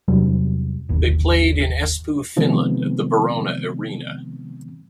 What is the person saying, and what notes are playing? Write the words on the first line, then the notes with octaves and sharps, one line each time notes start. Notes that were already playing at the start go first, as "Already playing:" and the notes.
They played in Espoo, Finland, at the Barona Areena.
E2 C3 F#3 G3
G1 D#2
C3 D#3 F3 G#3 B3 C4